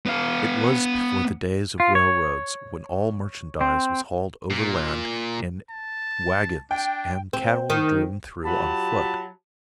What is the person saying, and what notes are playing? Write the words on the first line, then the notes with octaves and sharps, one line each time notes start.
It was before the days of railroads when all merchandise was hauled overland in wagons and cattle were driven through on foot.
B3 F5
F4
C#5
C4
A#2
A5
D4 G5
C4
D#3
F#3 F4 G4 A5 B5